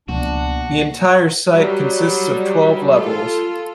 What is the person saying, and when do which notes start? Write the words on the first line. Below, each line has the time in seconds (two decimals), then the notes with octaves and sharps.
The entire site consists of twelve levels.
0.08 C#2 B2 F3 A#3 B3 D4 F#4
1.53 F#3 G3
2.94 F4 A4